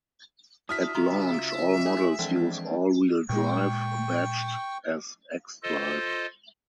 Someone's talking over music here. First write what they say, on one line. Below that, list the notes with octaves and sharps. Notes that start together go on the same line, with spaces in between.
At launch, all models use all-wheel drive, badged as xDrive.
D4 E4 F#4 E5 D#6 F6 B6
C#3 F4 F#4 A#5 C6
E4 G#4
E3 F3 G#3 C4 D4
A#2 G#3 G5 C#6
F4 A4 C5 D#5